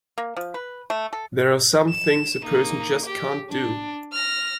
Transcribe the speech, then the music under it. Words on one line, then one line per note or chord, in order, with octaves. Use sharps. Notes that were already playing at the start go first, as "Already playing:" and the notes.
There are some things a person just can't do!
A#3
F3
B4
A3
A4
E7
A#3 D#4
G4
D4
F6 A#6